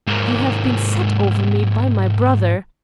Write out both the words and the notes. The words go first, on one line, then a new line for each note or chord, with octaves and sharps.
You have been set over me by my brother.
G#2 A#3